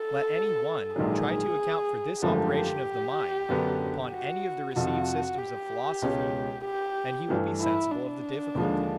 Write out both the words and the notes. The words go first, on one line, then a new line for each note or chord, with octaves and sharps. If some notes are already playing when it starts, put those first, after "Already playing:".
Let any one try to account for this operation of the mind upon any of the received systems of philosophy, and he will be sensible of the difficulty.
Already playing: A4
A#1 G#2 D#3 F#3 G#4
G#1 F#2 D3 F3 A3 G4
F#2 D3 F#3 B3 D4
F#4
F2 C3 F3 F#4
G4
C#2 B2 G#3 C#4
G4
G2 E3 A3
E4
D4
D#2 D3 F3 G#3